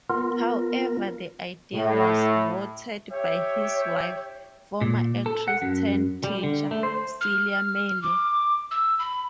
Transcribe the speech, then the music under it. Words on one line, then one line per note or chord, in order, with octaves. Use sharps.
However the idea was vetoed by his wife, former actress turned teacher, Celia Melia.
B3 F4 A#4
A2
G4 C#5 E5 G5
A#2
A4
F#5
F#2
G3
D3
A3
C5
F6
D6
E6
B5